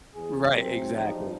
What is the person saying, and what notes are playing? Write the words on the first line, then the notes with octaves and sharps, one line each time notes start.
Right, exactly.
E2 G#4
C3 F#3 C4
E2 F3 G3 D#4